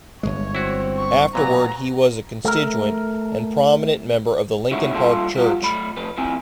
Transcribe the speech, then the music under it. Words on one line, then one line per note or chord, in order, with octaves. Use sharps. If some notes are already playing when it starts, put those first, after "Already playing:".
Afterward he was a constituent and prominent member of the Lincoln Park Church.
G1 C#2 G#3 C#5
C4 E4 F#4
C#6
A#2 F#3 B3 A#5
A3 A#4
A2 D#3 G#3 C#4 E4 F#4
G2 A#2 F4 A4
G3 F4 F#4
F#3 A3 B5
F3 A3 B4
F3 C4 E4 G#5